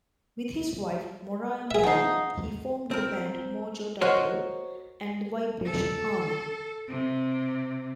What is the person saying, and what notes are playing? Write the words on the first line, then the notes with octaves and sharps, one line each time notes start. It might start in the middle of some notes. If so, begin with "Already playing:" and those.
With his wife Moriah-Melin, he formed the band MoJoW and the Vibration Army.
G#4 E5
F3 D#4 F#5 C7
C4 A#4
F#4 A#4 C5 C#5 D#5
A4
C3